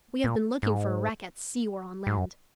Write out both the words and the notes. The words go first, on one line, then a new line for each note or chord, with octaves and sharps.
"We have been looking for a wreck at sea or on land!"
A#2
G#2
G#2
F#2